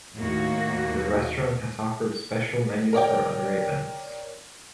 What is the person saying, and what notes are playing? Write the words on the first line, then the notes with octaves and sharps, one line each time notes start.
The restaurant has offered special menus for other events.
D#2 A2 A#3 F#4
A#4 C#5 D5 G5